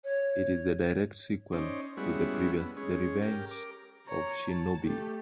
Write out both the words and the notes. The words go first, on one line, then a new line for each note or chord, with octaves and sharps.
It is the direct sequel to the previous "The Revenge of Shinobi".
C#5
C#4 D#4 C5 D5
G3 G#3 B3 C#4 E4 F#4
B3
G#3 C#4
G4 A#4
A#4 D6
C#5 A#5
A5
A3 G4